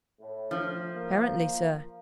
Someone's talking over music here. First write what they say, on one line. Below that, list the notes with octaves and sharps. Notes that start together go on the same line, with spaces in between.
"Apparently, sir."
A2
F3
A#3